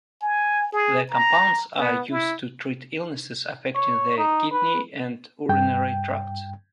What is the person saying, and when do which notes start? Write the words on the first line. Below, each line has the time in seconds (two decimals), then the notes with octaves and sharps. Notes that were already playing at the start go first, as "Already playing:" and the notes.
The compounds are used to treat illnesses affecting the kidney and urinary tract.
0.22 G#5
0.72 G#4
1.10 A#5
1.77 B3
2.11 E4
3.75 C#5
4.18 D#4
4.51 B4
5.49 G2 G5